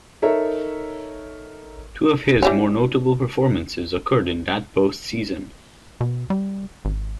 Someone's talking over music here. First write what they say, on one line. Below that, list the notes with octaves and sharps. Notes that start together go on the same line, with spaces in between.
Two of his more notable performances occurred in that post season.
D#4 A4 A#4 C#5 E5
E3 G3 C#4
B2
G3
G#1